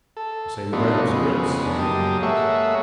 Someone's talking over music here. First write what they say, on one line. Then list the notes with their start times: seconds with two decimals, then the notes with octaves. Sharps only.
"The same brand of cigarettes?" he asked.
0.17 A4
0.73 F3 A3 B3 D4 D#4 F#4
1.08 F2 C#3 G#3 B3
1.66 G#3 D4 D#4
1.78 F#2 A#3 G4 A5 D#6
2.23 G#3 A#3 A4 C#5 E5 F#5